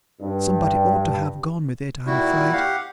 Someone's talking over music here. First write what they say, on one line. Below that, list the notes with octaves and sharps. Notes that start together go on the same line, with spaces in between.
Somebody ought to have gone with it, I'm afraid.'
G2
A#2 G3 E4 F#4
G4 F5 F#5